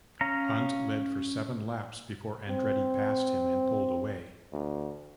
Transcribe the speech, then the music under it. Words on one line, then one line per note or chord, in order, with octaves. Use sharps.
Hunt led for seven laps before Andretti passed him and pulled away.
C#4 F5 A#5
C4
D2